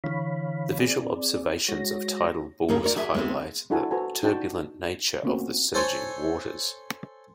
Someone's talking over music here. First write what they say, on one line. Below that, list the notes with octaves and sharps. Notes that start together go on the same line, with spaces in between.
The visual observations of tidal bores highlight the turbulent nature of the surging waters.
D3 E3 C#5 F5 B5
C4 G#4 D5
G#3 F#4 C#5 A#6
D2 G2 A#3 C#4 G#4 A#4
F#4 A#4 C#5 D5
F#4 G#4 E5
G#3 B3 C4
D4 E4 F#4 A4 F#5 G#5
F#4 A4 B4 C5 G#5 A#5
D4 D#4 F#4 G5 A5
A3 A#3 C4 C#4 F4 F#4
A4 C5 C#5 G#5